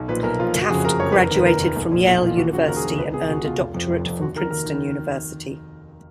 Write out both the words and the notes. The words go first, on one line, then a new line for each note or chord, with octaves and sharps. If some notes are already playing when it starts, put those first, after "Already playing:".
Taft graduated from Yale University and earned a doctorate from Princeton University.
Already playing: B1
A#2 F3 B4
B1 A#4
A#2 F3 F4
F#1
F#4
F2 C#3 F3 G#4
F#1 A#4
F2 C#3 F3 C#5
F1 B4
A#4
D#2 D#3 B4
F1 A#4
D#2 D#3
B1
A#2 F3
B1
A#2 F3 F4
D#2 F#4
C#3 F3 F#4
D#2 A#4
G#4
C#3 F3 A#4
C#2 B4
B2 G#4
C#2 F#4
B2 F4
F1
F2 F3
F1
F2 F3
D#2 F#4
D#3 A#4
D#2 A#4
D#3